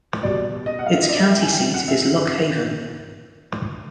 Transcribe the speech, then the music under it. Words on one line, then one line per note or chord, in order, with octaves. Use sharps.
Its county seat is Lock Haven.
B2 G3 D5
D#5
F#5
F5
E5
D#5
D5
E5
G#5
G5
F#5
E5